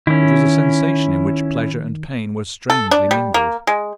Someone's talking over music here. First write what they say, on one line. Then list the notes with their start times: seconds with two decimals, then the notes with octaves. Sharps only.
It was a sensation in which pleasure and pain were strangely mingled.
0.07 D#3 C#4 E4
2.70 A4
2.91 D4
3.11 G3
3.34 A#3
3.67 G#3